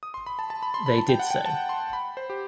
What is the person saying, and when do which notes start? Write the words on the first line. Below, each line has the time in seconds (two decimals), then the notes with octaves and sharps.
They did so.
0.03 D#6
0.14 C6
0.26 B5
0.39 A5
0.50 A5
0.63 B5
0.74 C6
0.86 B5
0.98 A5
1.09 G5
1.20 F#5
1.31 G5
1.46 A5
1.69 C6
1.93 B5
2.17 C5
2.30 G4